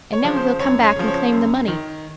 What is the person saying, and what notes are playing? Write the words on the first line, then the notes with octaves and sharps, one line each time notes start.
And now he'll come back and claim the money.
C#5
C#3 F3
C5
F#2 C#5
C#5
C#3 F3
C#5
F#2
D#3